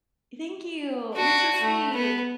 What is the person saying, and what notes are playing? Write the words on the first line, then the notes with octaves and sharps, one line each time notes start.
Thank you. You're so sweet.
D4 F#4
A3
B3